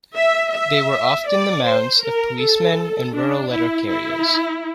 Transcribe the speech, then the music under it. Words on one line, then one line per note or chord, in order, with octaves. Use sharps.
They were often the mounts of policemen and rural letter carriers.
E5
E5
D5
C5
A#4
A4
D4
E4
E4